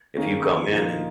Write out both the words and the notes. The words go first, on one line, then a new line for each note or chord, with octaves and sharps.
if you come in and
D#3 A#3 C#4 G#4 C#5
A#2 F3 A#3 D#4